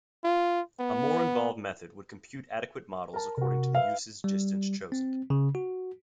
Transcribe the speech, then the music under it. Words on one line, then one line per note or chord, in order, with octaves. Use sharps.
A more involved method would compute adequate models according to the usage distance chosen.
F4
B3
A#4 A5
C3 F#4 A#4
B4 E5 F5
G3
C4
C#3
F#4